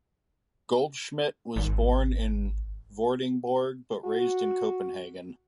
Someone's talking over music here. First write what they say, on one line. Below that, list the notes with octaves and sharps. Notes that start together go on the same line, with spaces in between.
Goldschmidt was born in Vordingborg but raised in Copenhagen.
G#1
F#4